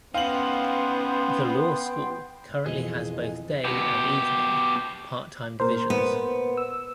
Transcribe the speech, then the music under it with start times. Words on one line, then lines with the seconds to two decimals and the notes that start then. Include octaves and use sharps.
The law school currently has both day and evening, part-time divisions.
0.15 B3 C#4 D#4 F5 G5 C6 F#7
2.66 F2 B2 E3 G#4 D#5
3.64 B2 G4
5.60 A#2 A#4 C5
5.90 B3
6.57 E6